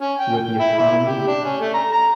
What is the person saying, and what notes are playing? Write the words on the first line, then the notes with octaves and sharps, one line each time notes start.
with the economy
C#4
G5
G5
E4
E4
G4
D4
C#4
A3
A#5
A#5